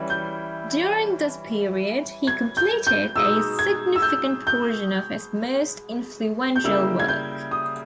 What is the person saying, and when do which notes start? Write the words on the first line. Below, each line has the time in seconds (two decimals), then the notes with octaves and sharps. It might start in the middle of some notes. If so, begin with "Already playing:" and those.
During this period, he completed a significant portion of his most influential work.
Already playing: E3 G3 C#4 E4
0.10 G6
2.27 G#6
2.57 G6
2.87 G6
3.16 B2 G#3 D#4 E6
3.59 G#6
3.96 E6
4.02 G6
4.47 G6
6.56 G6
6.64 C#3 G3 A#3 E4 E6
7.00 G#6
7.08 G6
7.51 D#6